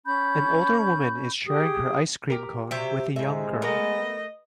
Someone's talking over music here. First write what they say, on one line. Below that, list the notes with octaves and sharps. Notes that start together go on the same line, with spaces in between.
An older woman is sharing her ice cream cone with a young girl.
C#4 B5 C#6 G6
G4 G#4 D#6
G4 A#4
C3 F#3 G4 E5
A2 C3 G#3 E5
A3 B3 A#4 D#5